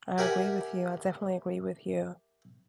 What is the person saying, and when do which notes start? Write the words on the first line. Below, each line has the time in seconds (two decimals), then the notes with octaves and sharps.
I agree with you, I definitely agree with you.
0.18 G4 A#4 E5 F#5 G#5